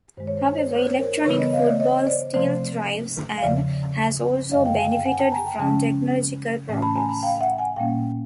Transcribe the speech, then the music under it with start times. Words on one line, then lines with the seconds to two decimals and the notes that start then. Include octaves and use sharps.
However, electric football still thrives and has also benefited from technological progress.
0.17 G2 D#3 G#3 C5
0.27 C#5
0.37 C5
0.48 C#5
0.58 C5
0.69 C#5
0.79 C5
0.89 C#5
0.99 A#4 C5
1.25 C#3 E3 G3 B3 B4 C#5
1.39 C#5 D#5
1.52 D#5 F5
1.66 D5 E5
1.80 C#5 D#5
2.07 C5 D5
2.34 C3 F3 A3 C4 C5 D5
3.38 F5
3.42 E2 C#3 F3 D5 E5
4.51 F#2 D3 G3 D#5 F5
4.65 F5 G5
4.78 F5 G5
4.87 G#5
4.91 F5 G5
5.06 F#5 G#5
5.19 G5 A5
5.32 G#5 A#5
5.46 G5 A5
5.59 C#3 F3 G#3 C#4 G5 A5
6.69 A2 E3 A3 C#4
6.82 A5 B5
6.96 G#5 A#5
7.09 A5 B5
7.23 F5 G5
7.41 E5 F#5
7.58 F#5 G#5
7.76 A#2 G3 A#3 C#4 F5 G5